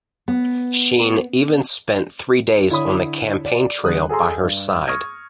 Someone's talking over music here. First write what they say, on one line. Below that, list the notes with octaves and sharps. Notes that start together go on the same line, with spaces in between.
Sheen even spent three days on the campaign trail by her side.
B3
D3 E4 C#5 B5 D#6
D5
D3 G3 D#6 F#6
G#4 A4 G#5 A#5 C6
G2
C#6 D#6 F6 G#6 A#6